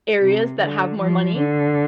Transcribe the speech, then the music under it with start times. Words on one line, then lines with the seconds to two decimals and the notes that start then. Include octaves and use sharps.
areas that have more money.
0.22 C3
0.61 D3
0.99 F3
1.38 D3